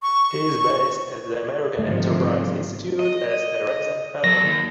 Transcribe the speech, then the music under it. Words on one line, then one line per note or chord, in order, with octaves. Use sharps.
He is based at the American Enterprise Institute as a resident fellow.
C#6
G1 G#2 C3 D#3 F3 A3
D#5
F#3 A4 A#6
D#2